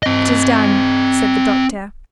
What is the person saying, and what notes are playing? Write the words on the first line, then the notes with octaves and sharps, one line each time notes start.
"It is done," said the doctor.
C4 D#5